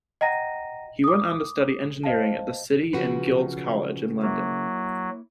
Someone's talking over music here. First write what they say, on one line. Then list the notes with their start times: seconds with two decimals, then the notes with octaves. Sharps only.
He went on to study engineering at The City and Guilds College in London.
0.21 D#5 F#5 G5 A#5 A#6 D#7
1.04 D6 D#6
2.04 C5 D#5 F5 A5
2.93 B1 C#3 F3 F#4 B4
4.22 F#3 A#3 E4